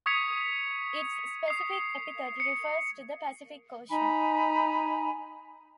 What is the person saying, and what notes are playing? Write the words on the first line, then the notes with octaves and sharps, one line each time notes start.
Its specific epithet refers to the Pacific Ocean.
C#6 D#6 G#6 B6 C#7 F7
D#6 C7
C#7
D#4 G#5 A#5 B5